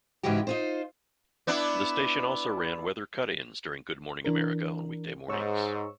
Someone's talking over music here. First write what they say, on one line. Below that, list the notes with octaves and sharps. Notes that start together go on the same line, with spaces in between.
The station also ran weather cut-ins during "Good Morning America" on weekday mornings.
G#2 C#3 E3 E4 F#4 G4
D#4 F4 C5
B3 D4 E4
E3 D4 A#4
G#2 C#5 C#6 E6